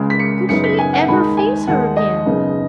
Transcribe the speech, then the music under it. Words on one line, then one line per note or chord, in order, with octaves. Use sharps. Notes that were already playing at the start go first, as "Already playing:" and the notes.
Could he ever face her again?
Already playing: C#2 C#3 G#3
B6
C#7
F#2 C#3 B3 D#4 C#7
B6
G#5
F#5
D#2 D#3 G#3 D#4 B5
G#5
D#2 D#3 G#3 D#4 F#5
D#5
F#1 F#2 C#3 B3 D#4